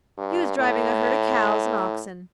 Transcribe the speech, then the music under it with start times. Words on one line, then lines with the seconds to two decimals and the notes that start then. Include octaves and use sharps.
He was driving a herd of cows and oxen.
0.18 G2
0.58 A2